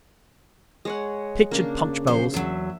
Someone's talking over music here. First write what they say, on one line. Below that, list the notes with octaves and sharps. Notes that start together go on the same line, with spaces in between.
Pictured punch-bowls.
G#3 C#5 F#5
C#3 A#3 D4
F3 F#3 C5
E2 F#3 E5